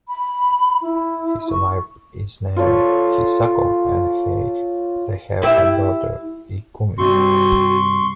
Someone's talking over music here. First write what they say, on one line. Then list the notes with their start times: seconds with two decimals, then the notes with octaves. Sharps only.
His wife is named Hisako, and they have a daughter, Ikumi.
0.08 B5
0.82 E4
1.50 C#6
2.56 F4 A4 C#5
5.42 E4 G4 E5
6.98 G2 C3 G3 C4 F#4 C6 C#6